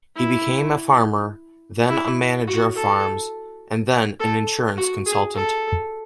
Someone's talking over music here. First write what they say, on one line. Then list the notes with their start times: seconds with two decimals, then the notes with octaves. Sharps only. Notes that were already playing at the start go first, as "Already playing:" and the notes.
He became a farmer, then a manager of farms, and then an insurance consultant.
0.17 E4
1.89 E4
2.47 F#4
2.76 A4
4.20 A4
4.77 F#4
5.06 G#4
5.35 A4